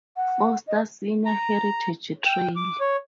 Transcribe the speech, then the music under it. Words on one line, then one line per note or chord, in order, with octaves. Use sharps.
Foster Senior Heritage Trail.
F#5
D#5
A#5
G5
D6
C#5